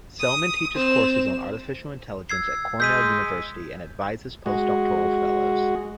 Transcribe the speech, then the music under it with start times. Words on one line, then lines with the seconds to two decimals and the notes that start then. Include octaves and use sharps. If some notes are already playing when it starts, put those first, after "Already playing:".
Selman teaches courses on artificial intelligence at Cornell University and advises postdoctoral fellows.
0.20 D#6
0.75 C4 E7
2.29 E6 G#6 C7
2.80 G#3 E6 G6 B6 D#7
4.46 G#3 F#4